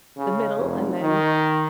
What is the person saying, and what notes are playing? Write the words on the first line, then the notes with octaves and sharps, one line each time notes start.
the middle and then
C#3
F1
D#3